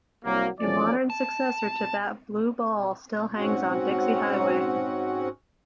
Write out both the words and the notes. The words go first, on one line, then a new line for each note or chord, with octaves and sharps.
A modern successor to that blue ball still hangs on Dixie Highway.
C2 F#3 A#3
E2 F3 A3 C#4 D5
A5
G#2 C4 C#4 F#4 F#5